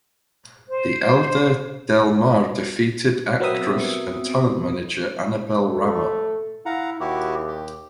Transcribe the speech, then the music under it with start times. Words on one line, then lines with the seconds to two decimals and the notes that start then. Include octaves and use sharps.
The elder Del Mar defeated actress and talent manager Annabelle Rama.
0.68 C5
3.40 F#3 B3 C4 A#4 E5 D#6
5.68 A3
6.66 E4 F5 F#5 A#5
7.00 D#2 E4 F#4 G4
7.48 G4